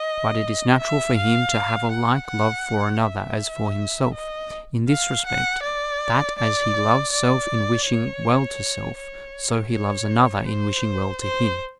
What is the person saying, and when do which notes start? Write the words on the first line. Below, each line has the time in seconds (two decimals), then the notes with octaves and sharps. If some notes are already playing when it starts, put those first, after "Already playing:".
But it is natural for him to have a like love for another as for himself, in this respect, that as he loves self in wishing well to self, so he loves another in wishing well to him.
Already playing: D#5
0.80 E5
1.17 F5
1.91 F#5
2.28 F#5
3.03 E5
4.14 D#5
4.89 F5
5.26 F#5
5.63 D5
6.38 D5
7.12 D5
7.87 C#5
8.98 C#5
9.73 C#5
10.48 C5
11.22 C5